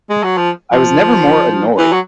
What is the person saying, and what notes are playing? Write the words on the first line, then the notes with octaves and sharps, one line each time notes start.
I was never more annoyed!
G#3
F#3
F3
F3
E3
F#3